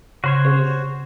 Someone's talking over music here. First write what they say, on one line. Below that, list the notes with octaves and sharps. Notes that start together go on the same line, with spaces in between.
It was
C#3 F#4 C5 C#5